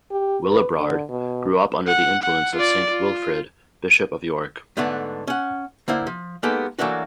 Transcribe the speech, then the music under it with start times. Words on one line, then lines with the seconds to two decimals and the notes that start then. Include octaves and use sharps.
Willibrord grew up under the influence of Saint Wilfrid, Bishop of York.
0.11 G4
0.45 B4
0.78 D3
1.10 B2
1.88 F#5
2.23 F#5
2.56 F4 D5
2.91 F4
4.77 G#2 D3 A3 B3 D4
5.27 C#4 F#5
5.88 D3 A#3 E4 C5
6.07 F3
6.43 G#3 A#3 B3 D#4 G4 A4
6.79 E3 F#3 A3 A#3 D4 F#4